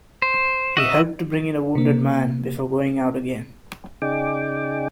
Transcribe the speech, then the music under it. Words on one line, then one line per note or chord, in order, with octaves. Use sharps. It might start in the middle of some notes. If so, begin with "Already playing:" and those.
He helped to bring in a wounded man, before going out again.
C5
F#4 D#5 E5
C3 A#3
C#3 D#4 G#4 D5 G5 D6